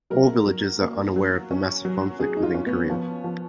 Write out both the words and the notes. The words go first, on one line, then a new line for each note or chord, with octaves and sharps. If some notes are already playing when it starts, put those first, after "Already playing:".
All villagers are unaware of the massive conflict within Korea.
F#3 A#4
F#3
A#3
F#3
C#4
F#3
C#4 G#4
D#4
F4
C#4
B3
F3
F3